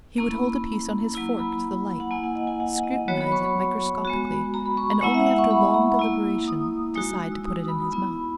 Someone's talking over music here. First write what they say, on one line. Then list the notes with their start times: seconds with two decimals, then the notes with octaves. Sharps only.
He would hold a piece on his fork to the light, scrutinize it microscopically, and only after long deliberation decide to put it in his mouth.
0.18 A#3 C#4 E4 A#5
0.31 B5
0.43 A#5
1.14 F#3 A#3 E4 A#5
1.39 B5
2.00 F#5
2.11 A#3 E4 G#5
2.24 F#5
2.35 D#5
2.47 G#5
2.60 F#5
2.84 D#5
3.08 F#3 B3 F#4 C#5
3.21 B5
3.32 C#6
3.45 B5
4.05 G#3 B3 F#4
4.54 A#5
4.66 B5
4.77 C#6
4.90 A#5
5.01 G#3 B3 E4 F#5
5.14 E5
5.27 F#5
5.38 C#6
5.51 B5
5.74 A#5
5.99 A#3 E4
6.48 D#6
6.95 G#3 D#4 F#4
7.32 E6
7.44 D#6
7.68 B5
7.92 B3 E4